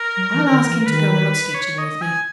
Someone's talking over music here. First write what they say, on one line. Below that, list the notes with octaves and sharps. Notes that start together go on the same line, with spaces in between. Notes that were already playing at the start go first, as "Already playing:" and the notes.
'I'll ask him to go out sketching with me.
Already playing: A#4
F#3
E3
D#3
E3
D#3 B4
C#5
D#5
G#5